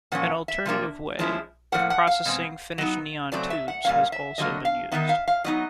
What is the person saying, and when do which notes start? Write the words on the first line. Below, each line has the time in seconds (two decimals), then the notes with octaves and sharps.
An alternative way of processing finished neon tubes has also been used.
0.12 A#2 F3 C#4 F#5
0.48 E5
0.65 C3 F3 A#3 D4
1.19 F3 G#3 C#4 E4
1.72 A2 F3 A#3 F#5
1.90 F#5
2.07 F5
2.25 B2 G#3 C4
2.78 F#3 B3 D#4
3.32 C#3 F#3 A3 C4 D5
3.50 E5
3.68 F#5
3.85 A#2 G3 A#3 C#4 F5
4.12 E5
4.38 D3 F#3 A#3 D#5
4.65 F5
4.92 D#3 G3 B3 D#4 E5
5.09 F5
5.27 F5
5.44 F#3 B3 D#4 D#5